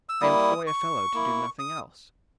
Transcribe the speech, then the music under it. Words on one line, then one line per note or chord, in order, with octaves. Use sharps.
I employ a fellow to do nothing else.
E6
G3 A#3 E4 D#6
C#6
A#3 E4
D#6